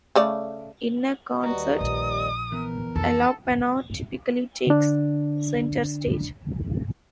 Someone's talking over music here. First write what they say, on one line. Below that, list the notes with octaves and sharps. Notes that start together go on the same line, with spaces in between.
In a concert, alapana typically takes center stage.
C#3 A3 D5
D#2 G3 F#4 B4 D#5 A#5
A#1 D#6
E3 B3 A#4
F2 D#4 A4
D3 D4